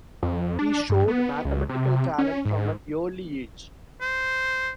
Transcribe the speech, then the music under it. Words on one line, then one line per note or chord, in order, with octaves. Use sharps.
He showed mathematical talent from an early age.
F2
D4
G2
B3
C#2
C3
C#4
G#2
C5